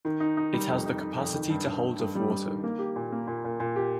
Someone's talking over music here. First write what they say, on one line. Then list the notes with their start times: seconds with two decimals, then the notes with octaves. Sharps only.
It has the capacity to hold of water.
0.05 D#3
0.20 D#4
0.37 D#4
0.53 G3
0.69 F2
0.86 D#4
1.01 D#4
1.18 F2
1.34 D#3
1.49 G2
1.66 G2
1.82 G2
1.99 G2
2.15 G3
2.30 G3
2.47 D#3
2.64 A#3
2.79 G4
2.96 A#2
3.12 A#3
3.27 A#2
3.44 A#2
3.60 A#2
3.76 G4